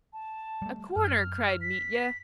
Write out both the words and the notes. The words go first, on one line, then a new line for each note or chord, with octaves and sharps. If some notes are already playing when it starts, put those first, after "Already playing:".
"A corner!" cried Mitya.
A5
G3 A3
F#2 F6
B6